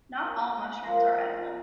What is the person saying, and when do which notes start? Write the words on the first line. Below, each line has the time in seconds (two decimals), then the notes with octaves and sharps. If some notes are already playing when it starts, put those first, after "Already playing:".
Not all mushrooms are edible.
0.20 C#4 G5
0.83 F3 C4 A#4
1.15 D#5